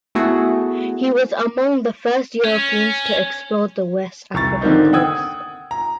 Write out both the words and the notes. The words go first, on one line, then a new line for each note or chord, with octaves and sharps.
He was among the first Europeans to explore the West African coast.
A3 B3 E4 F#4 G#4
C#4
C2 A#5 C#6 A6
D3 D#3 A#3 C4 D#4
F#5 G5 D#6 E6 G#6
A#5